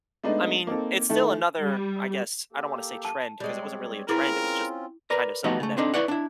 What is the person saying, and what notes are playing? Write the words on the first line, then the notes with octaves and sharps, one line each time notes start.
I mean, it's still another, I guess, I don't wanna say trend, 'cause it wasn't really a trend, it was just kind of something that
G#3 A3 B3 D4 D#4
A#3 C4 D#4 A4
D#3 A3 E4 A4
G3
A#3 G4 A4
A5
G3 G#3 C4 C#5 D5
C4 C#4 E4 F4 G#4 A#4 B4 D6
A#4 B4 D5 A#5
F3 A3 B3 D#4 F#4 G4
C#3 A3
C4 D4 D#4 A4
E4 B4 C#5 D5 F#5
D4 E4